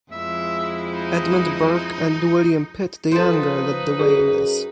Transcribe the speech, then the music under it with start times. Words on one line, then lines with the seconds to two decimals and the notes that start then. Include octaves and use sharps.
Edmund Burke and William Pitt the Younger led the way in this.
0.12 F2 G#3 E4 E5
0.93 D#4
3.11 F3 D#4 B4 C5 A5
3.99 F#2 G#4